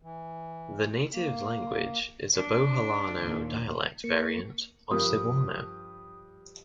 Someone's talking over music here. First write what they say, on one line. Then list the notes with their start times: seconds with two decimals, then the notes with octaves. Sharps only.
The native language is a Boholano dialect variant of Cebuano.
0.02 E3
1.13 A#3
2.35 D4
3.18 D#2 A#2
4.04 A#3 C#6
4.91 G2 F3 G3 A#4 D#6